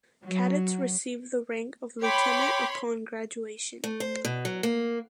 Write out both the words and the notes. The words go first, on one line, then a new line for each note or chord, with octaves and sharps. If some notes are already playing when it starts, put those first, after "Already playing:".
Cadets receive the rank of Lieutenant upon graduation.
F#3
C#5 G5 B5 C6 D6
A3
C5
B2
F#3
A#3